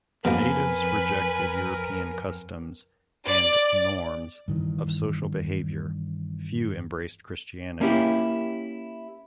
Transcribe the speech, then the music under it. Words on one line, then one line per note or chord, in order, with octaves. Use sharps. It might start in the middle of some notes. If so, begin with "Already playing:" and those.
The natives rejected European customs and norms of social behaviour; few embraced Christianity.
F2 B2 A#3 A#4 B4 G#5
D5
G2 D#3 E3
A#3 C#4 E4 G4